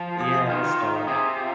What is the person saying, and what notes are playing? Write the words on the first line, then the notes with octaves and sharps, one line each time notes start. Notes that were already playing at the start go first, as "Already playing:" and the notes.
Yeah, so
Already playing: F3
G#4
D#3 F4
D#3
C3 G#4
F4